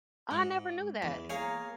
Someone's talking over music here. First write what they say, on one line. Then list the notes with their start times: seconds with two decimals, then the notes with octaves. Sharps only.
I never knew that.
0.31 G#2
1.02 E2
1.30 A#3 G#4 A#4 C#5 F5